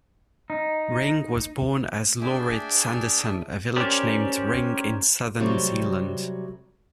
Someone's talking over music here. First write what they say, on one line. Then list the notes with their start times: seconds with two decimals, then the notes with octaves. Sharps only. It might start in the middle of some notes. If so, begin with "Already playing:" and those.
Ring was born as Laurits Andersen a village named Ring in southern Zealand.
0.50 D#4
2.21 D4 G#4 E5 G5 G#5
3.76 C#4 G4 A#4 C5 D5
5.40 C3 F#3 G3 A3 C4